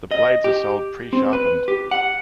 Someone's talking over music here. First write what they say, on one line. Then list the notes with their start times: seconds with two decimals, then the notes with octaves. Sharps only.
The blades are sold pre-sharpened.
0.11 D#5
0.44 G4
1.13 C4
1.33 B4
1.68 G4
1.91 F#5